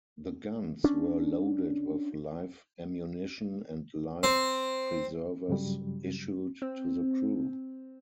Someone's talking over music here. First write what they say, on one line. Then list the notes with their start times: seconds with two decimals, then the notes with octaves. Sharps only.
The guns were loaded with live ammunition and life preservers issued to the crew.
0.84 C#4 D4
4.23 C4
5.48 G2 C#3 F#3 G3
6.62 C4